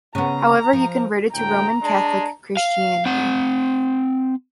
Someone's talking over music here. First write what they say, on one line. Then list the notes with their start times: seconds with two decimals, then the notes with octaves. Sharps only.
However, he converted to Roman Catholic Christianity.
0.15 C#3 B3 A#5
0.73 F3
1.34 D2 A2 G5 A#5
1.82 G#3 D4 D5 A5
2.57 F5
3.06 C4 F#5